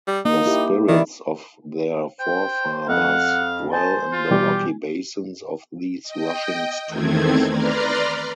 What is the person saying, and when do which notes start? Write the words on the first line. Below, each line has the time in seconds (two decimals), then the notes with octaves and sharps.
The spirits of their forefathers dwell in the rocky basins of these rushing streams.
0.07 G3
0.25 A#3 D#4
0.46 E4 G4
0.88 D#3 E3 E4 D5
2.20 C5 G5
2.89 F2 F5 F#5
3.73 C5 G#5 A5
4.13 F4
4.31 B2 E3 G3 G4
6.03 D#5 G5
6.86 E2 D#3 A3 C4 G#6
7.48 B4 D5 A#5 C6 F6